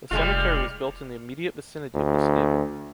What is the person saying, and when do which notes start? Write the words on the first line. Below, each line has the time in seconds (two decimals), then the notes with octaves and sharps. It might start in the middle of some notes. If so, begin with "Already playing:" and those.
The cemetery was built in the immediate vicinity of this stable.
0.11 F1 G3 G#3 F4 F6
1.94 D2